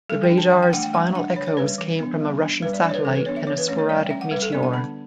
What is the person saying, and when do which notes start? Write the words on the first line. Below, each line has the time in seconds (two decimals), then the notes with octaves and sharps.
The radar's final echoes came from a Russian satellite and a sporadic meteor.
0.09 G3 A4
0.23 G5
0.30 D4
0.38 A5
0.51 E3 G5
0.63 G5
0.73 A3 D4 F#5
0.83 G5
0.94 G3 F#5
1.15 D4 F#5
1.36 D3 C#5
1.46 C#5
1.57 C#4 B4
1.60 G3
1.78 E3
1.99 B3 D4
2.20 G3
2.42 D4
2.63 G3 B4
2.73 D5
2.84 D4 D5
2.89 C#5
2.94 B4
3.05 E3 A4
3.16 B4
3.26 B3 D4 C#5
3.36 E5
3.47 E3 C#5
3.58 B4
3.68 A3 C#4 C#5
3.78 C#5
3.89 G3 D5
4.00 G5
4.10 C#4 E5
4.21 F#5
4.31 G3 B4
4.42 A4
4.52 B3 D4 D5
4.63 F#5
4.74 D3 A5